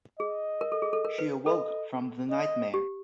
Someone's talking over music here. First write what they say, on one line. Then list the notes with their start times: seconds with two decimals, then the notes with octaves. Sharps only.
She awoke from the nightmare.
0.19 G#4 D#5
0.61 A#4
0.72 A4
0.82 G#4
0.93 A4
1.05 A#4
1.19 B4
1.46 A4 D#5
2.30 D#5
2.74 G4